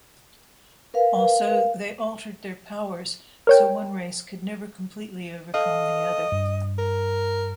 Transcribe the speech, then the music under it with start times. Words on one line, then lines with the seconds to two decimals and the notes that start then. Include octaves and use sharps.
Also they altered their powers so one race could never completely overcome the other.
0.94 A#4 B4 F5
3.47 A#4 C#5 G5
5.54 A4 D#5 F5
6.32 G2
6.78 A#4